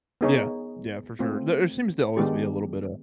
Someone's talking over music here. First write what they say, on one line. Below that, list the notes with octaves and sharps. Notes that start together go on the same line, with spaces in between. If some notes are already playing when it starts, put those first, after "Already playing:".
Yeah, yeah, for sure. There, uh, seems to always be a little bit of
B3 D#4 G#4 C#5
A3 C4 F4
D#3 G#3 B3 D4 G4